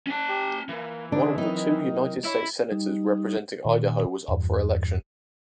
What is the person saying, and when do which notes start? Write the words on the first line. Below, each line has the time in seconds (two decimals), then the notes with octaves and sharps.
One of the two United States Senators representing Idaho was up for election.
0.07 C#4 A5
0.29 G4
0.69 E3 A#3
1.12 D3 G#3 D4 D#4 C5
1.38 D#3 F#3 C4 D#4 E4
2.25 E4 C#5 E6
2.72 G3 D#4
3.65 A#2 D#3
4.28 E2 G2